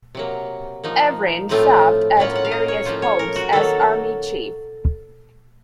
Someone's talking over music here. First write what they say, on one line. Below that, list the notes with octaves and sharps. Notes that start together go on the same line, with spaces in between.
Evren served at various posts as Army Chief.
C3 F#3 A#3
F3 A#3 D#4
A2 F3 A3 C4 F4
A2 F#3 A#3 C#4 F4 F#5
F#5
F5
D#5
C#5
A2 F3 A#3 C#4 F4 C5
C#5
A#4
F#4
D#3 F#3 A#3 A4